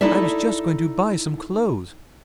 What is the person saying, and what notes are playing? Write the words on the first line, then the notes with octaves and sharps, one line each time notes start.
I was just going to buy some clothes.
D#4 E4 A4 D5 E5